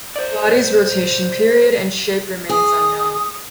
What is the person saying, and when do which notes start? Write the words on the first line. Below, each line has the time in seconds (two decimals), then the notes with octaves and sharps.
The body's rotation period and shape remains unknown.
0.16 C5 D5
2.49 G#4 D#6